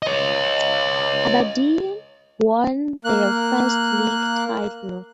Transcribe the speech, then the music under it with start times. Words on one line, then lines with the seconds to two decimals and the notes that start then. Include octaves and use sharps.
Aberdeen won their first League Title.
0.03 C#5 D#5
3.04 A#3 F#6